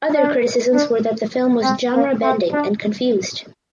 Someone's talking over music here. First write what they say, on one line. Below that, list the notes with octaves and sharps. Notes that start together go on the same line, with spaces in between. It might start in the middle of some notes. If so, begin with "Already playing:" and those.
Other criticisms were that the film was "genre bending" and confused.
D4
D4
C4
A#3
C4
D4